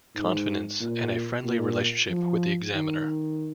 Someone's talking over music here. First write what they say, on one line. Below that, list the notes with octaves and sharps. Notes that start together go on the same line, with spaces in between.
Confidence and a friendly relationship with the examiner.
G#2
A#2
A#2
F3
D#3